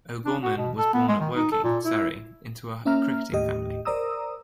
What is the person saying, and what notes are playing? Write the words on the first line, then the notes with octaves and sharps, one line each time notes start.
O'Gorman was born at Woking, Surrey, into a cricketing family.
D4
F#4
B2
A4
B3
G#3
D#3
D#4
A4
A#2
E4
A#3 C#4 E5 A#5 F6
D#2 A2 G4 D#5
A#4 C5 D5 A#5 D#6 E6